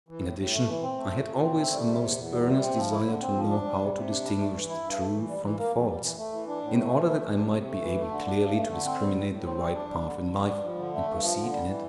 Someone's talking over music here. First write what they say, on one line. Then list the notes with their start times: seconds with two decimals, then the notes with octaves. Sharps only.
In addition, I had always a most earnest desire to know how to distinguish the true from the false, in order that I might be able clearly to discriminate the right path in life, and proceed in it with confidence.
0.08 E3
0.23 A2
0.38 A2
0.53 A3
0.68 E3
0.83 C4
0.97 A3
1.12 A#2
1.27 A#2
1.42 C4
1.57 A3
1.72 G3
1.87 C3
2.01 E2
2.16 E2
2.31 G3
2.46 C3
2.60 C4
2.76 F3
2.91 E4
3.05 D3
3.21 C4
3.35 F3
3.50 D4
3.65 G3
3.80 C3
3.94 C3
4.09 D4
4.24 G3
4.39 A3
4.54 E3
4.69 E4
4.84 G2
4.98 A3
5.14 E3
5.28 G3
5.43 E3
5.58 A#3
5.73 F2
5.88 G3
6.03 E3
6.17 A3
6.32 E3
6.48 D4
6.62 A2
6.77 A3
6.92 E3
7.07 A3
7.21 E3
7.36 D4
7.51 C3
7.66 A3
7.81 E3
7.95 A3
8.10 D3
8.26 D4
8.40 G2
8.55 A3
8.70 D3
8.85 C4
9.00 G3
9.14 A2
9.29 A2
9.44 C4
9.59 G3
9.74 D4
9.89 G3
10.04 D3
10.19 D3
10.33 D4
10.48 G3
10.63 F3
10.78 D3
10.93 A3
11.08 G2
11.22 F3
11.38 D3
11.52 G3
11.67 E3